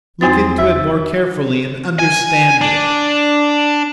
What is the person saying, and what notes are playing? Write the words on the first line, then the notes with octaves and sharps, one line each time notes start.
Look into it more carefully and understand it!
E2 C4 D#4 A6
E5
G#5
D4